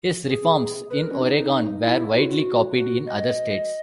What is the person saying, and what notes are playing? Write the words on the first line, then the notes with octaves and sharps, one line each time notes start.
His reforms in Oregon were widely copied in other states.
G#4
B4
A#4
C#4
D#4
E4
F#4
F#4
F#4
D#5